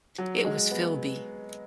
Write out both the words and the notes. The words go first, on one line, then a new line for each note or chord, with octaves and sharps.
It was Philby.
F#3
G#3
B3